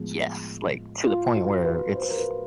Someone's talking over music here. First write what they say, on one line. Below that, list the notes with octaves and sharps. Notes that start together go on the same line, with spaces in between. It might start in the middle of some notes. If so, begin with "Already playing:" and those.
Yes. Like, to the point where it's
Already playing: A2 F3 G#3 B3
F4
F#4
B4
C5
B4
A#4
B4